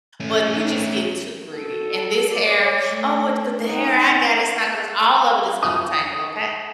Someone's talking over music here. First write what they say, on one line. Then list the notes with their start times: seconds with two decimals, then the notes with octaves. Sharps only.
but you just getting too greedy, and this hair, "Oh, would but the hair I got, it's not gonna s" all of it is gonna tangle, okay?
0.20 A3 C#4
1.52 F#4 A4
2.34 C#5 D5
2.93 A3
3.62 D#4 F#5
5.63 D#6